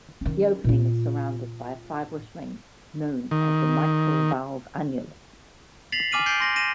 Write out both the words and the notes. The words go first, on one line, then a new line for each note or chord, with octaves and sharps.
The opening is surrounded by a fibrous ring known as the "mitral valve annulus".
D#3 C#4
A#2 F4
D#3
A6 B6 C7 F7 F#7
G#5 D6 F6 D#7 F#7
G6 A6 C7 D7 G7
C6 A#6
A#6 D#7 E7